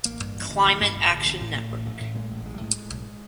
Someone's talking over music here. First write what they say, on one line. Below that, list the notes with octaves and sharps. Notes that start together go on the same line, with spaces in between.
Climate Action Network.
A1 A#3
G2
A1
D3
A1
G2
A1
D3
A1
A2
A2
A1
A1 A3
A2
A2 G#3
A1
B1 G#3
G3
A2 G#3
A2
B1